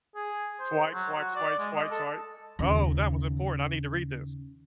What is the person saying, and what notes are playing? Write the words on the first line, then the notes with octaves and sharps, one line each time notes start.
swipe, swipe, swipe, swipe, swipe. "Oh, that was important, I need to read this."
G#4
C5
F#3
F#4
D5
G#3
D#5
A4
D#2 C#3